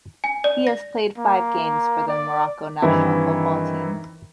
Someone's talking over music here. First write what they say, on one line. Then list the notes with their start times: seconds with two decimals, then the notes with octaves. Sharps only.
He has played five games for the Morocco national football team.
0.24 G#5
0.44 D5
0.67 A#6
1.18 A#3
2.08 D5
2.82 G2 D#3 E3 C4 E4